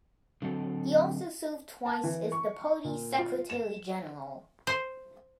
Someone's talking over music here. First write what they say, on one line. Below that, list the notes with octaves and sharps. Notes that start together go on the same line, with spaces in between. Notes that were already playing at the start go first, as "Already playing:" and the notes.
He also served twice as the party's secretary-general.
D3 F#3 C4 A4
A5
E3
C#6
A#2
F4
E7
C5